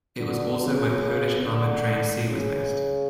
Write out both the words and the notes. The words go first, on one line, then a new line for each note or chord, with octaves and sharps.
It was also where Polish armoured train C was based.
D3
C#3
D3
C#3